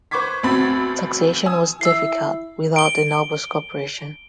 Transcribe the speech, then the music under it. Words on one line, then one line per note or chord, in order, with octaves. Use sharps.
Taxation was difficult without the nobles' cooperation.
B4 C5 C#6 D6 G#6 B6
D2 B2 C4 B5 G#6 A6
G#5 D#6 E6
E4 E6 C7
D7 G7